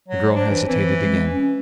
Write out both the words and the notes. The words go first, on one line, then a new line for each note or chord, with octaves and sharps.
The girl hesitated again.
F#3
D4 C5
E3
E3 C4
G#3
C#4